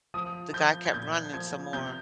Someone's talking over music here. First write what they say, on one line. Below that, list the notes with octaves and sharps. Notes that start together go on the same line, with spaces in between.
the guy kept running some more.
F3 D#6
F3 G6
G#6
A#2 G6
F3 G#6
C3 G6